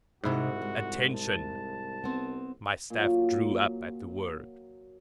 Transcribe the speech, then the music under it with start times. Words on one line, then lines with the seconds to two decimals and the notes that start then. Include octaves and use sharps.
"Attention!" My staff drew up at the word.
0.24 C2 G#2 C3 D#4 E4 F#4 D#5
0.62 G#3
1.15 A5
2.04 B3 C4
2.90 A#2 F#3